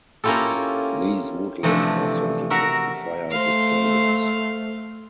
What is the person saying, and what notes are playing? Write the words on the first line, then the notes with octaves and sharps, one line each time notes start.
These woodlands are sensitive to fire disturbance.
A#3 C#4 E4 F4 G4 A4
C3 E3 F3 A3 D4
F#4 A#4 E5 F#5
A3 C5 F5